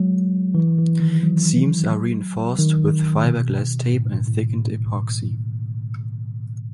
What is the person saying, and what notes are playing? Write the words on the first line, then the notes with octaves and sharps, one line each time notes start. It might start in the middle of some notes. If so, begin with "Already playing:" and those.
Seams are reinforced with fiberglass tape and thickened epoxy.
Already playing: F#3 G#3
E3
E3
D#3
F#3
D#3
B2
A2
A2